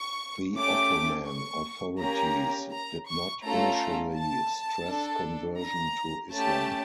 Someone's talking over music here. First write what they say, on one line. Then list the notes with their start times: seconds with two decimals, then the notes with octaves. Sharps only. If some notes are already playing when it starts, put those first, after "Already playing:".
The Ottoman authorities did not initially stress conversion to Islam.
Already playing: C#6
0.56 A3 C#4 G4 D6
1.28 C#6
2.00 A#3 C#4 G4 A#5
2.72 A#5
3.09 C#6
3.44 A3 C#4 F4 A4 A#5
4.16 A5
4.87 D4 A4
5.60 A#5
6.32 A3 C#4 G4 A5